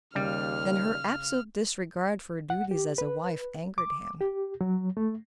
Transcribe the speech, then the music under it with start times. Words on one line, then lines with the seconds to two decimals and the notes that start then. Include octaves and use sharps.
Then her absolute disregard for her duties as a wife angered him.
0.15 D#2 C#3 G3 F6
2.50 F#5
2.71 G4
2.98 B4
3.78 D6
4.21 G4
4.61 F#3
4.97 A3